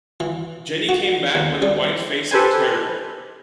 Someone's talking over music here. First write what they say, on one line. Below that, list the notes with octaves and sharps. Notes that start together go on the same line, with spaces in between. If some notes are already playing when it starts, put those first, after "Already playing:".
Jenny came back with a white face of terror.
E3
F#4
D#2
G3
G4 A4 B4 C5 G#5